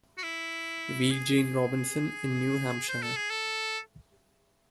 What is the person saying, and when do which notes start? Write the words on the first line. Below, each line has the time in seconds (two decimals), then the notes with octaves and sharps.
V. Gene Robinson in New Hampshire.
0.18 F#4
0.23 E4
1.11 G#4
2.89 C5
3.02 A4
3.17 G#4
3.30 A4